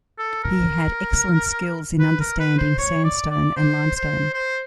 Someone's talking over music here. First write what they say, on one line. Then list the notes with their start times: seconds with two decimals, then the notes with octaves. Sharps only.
He had excellent skills in understanding sandstone and limestone.
0.19 A4
0.44 A#4
2.00 B4
2.20 A#4
2.40 B4
2.58 C5
2.79 C#5
3.04 D5
3.30 D5
3.57 C5
3.96 C5
4.34 C5